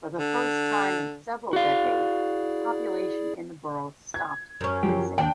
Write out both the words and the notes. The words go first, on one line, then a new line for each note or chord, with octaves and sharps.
For the first time in several decades the population in the borough stopped decreasing.
D3
E4 F#4 G#4 D5 F5
G#6
F#2 C#4
F3 F#3 G4
D#2 D4 G5